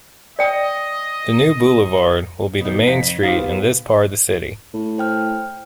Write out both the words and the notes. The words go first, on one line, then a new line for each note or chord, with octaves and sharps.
The new boulevard will be the main street in this part of the city.
D5 D#5 G5
B2 D#3
F2 A#6 B6
D#4 F4 G4 C5 F5
B3 F4
A2
C5 G5 F6